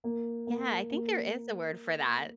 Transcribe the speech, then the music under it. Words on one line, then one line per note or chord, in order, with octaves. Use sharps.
Yeah. I think there is a word for that.
A#3
A#3
A#3